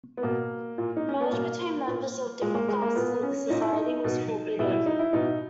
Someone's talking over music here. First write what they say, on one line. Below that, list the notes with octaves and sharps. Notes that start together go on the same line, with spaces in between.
Marriage between members of different classes of the society was forbidden.
B3
B2 A#3
A#2
D#4
C#4
B3
B2 A#3
A#2
A#2 G#3
A#3
G#3
A#3
A#2 B3
C#4
A#2 D#4
E4
D#4
B2
B2 E4
E4
D#4
E4
B2 D#4